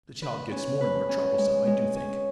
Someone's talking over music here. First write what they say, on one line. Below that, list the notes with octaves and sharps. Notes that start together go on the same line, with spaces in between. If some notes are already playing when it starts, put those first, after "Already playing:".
The child gets more and more troublesome, I do think.
B4
C#4
B4
C#4
G#3
G#3
C#4